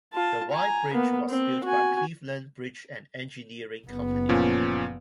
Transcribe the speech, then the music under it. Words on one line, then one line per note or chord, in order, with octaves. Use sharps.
The Wye Bridge was built by Cleveland Bridge and Engineering Company.
F4 A5
G#5 A#5
A#3 B3
C4
F#4 G#5
F#1 B3
A#2 F3 C#4